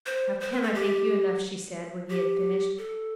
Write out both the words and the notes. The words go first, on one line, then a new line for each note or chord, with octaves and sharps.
"How can I thank you enough?" she said, when he had finished.
C5
C5
B4
A4
G4
G4
A4